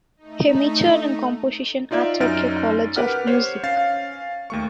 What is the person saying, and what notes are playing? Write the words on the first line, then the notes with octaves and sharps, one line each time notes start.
He majored in composition at Tokyo College of Music.
A3 D#4
D#4 F4 D5 E5
F#2 C#4 D#4 F6 A6 D7
G4 A#4 B4 F#5 F6
C5 C#5
C#4 F5 A6 C7
D#2 A3 C#6